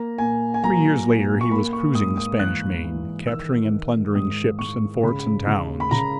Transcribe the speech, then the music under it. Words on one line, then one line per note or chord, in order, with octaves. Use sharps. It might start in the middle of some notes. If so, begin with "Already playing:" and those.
Three years later he was cruising the Spanish Main, capturing and plundering ships and forts and towns.
Already playing: A#3 A#5
A#2 G#5
G#5
F#3 A#5
A#2
C#6
A#3 B5
C#6
G#2 D#6
D#6
E3 F#6
E3
D#3 E6
D#3
G#2 D#6
G#2 C#6
C#3 B5
C#3
B5
C#3 A#5